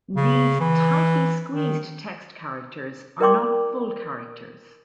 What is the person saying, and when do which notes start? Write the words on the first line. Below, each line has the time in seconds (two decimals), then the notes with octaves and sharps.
These "tightly squeezed" text characters are not full characters.
0.16 C#3
0.60 E3
1.53 D#3
3.20 E4 A#4 D5 G5 C6 D6